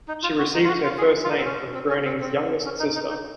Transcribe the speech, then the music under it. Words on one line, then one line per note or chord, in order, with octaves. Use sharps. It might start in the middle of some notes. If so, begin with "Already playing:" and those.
She received her first name from Groening's youngest sister.
D#4
F4
F#4
D#4
F4
F#4
F4
G#4
F4
D#4
C4
C#4
C4
C#4
C4
C4
C#4
D#4
D#4
D#4